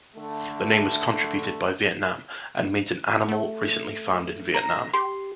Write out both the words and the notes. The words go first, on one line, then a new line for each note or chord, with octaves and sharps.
The name was contributed by Vietnam and means an animal recently found in Vietnam.
D3 A3
A3
A#5
G4 C6